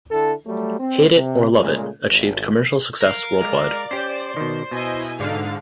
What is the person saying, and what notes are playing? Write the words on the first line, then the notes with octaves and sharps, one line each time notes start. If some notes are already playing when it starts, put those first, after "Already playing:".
"Hate It or Love It" achieved commercial success worldwide.
D3 E4 A4
F#3 G3 A3
C4
C3
A#2 C#3 G#3 A3
G#1
A#4 F5
G#3 D5
C#4 G4 C5
B2 D#3
B2 E4 D#5 G#5
G#2 D3 F5